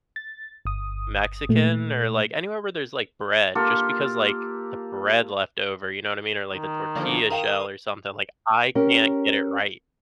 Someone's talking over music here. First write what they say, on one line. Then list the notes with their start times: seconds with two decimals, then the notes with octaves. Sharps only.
Mexican or, like, anywhere where there's, like, bread just because, like, the bread leftover, you know what I mean, or, like, the tortilla shell or something, like, I can't get it right.
0.16 A6
0.65 G1 D#6
1.49 A#2 A3
3.55 A#3 F4 G4 A4
6.55 D#3
6.95 D3 F3 A#3
7.30 A#4 F5 G5 D#6
8.75 C#4 G4 A#4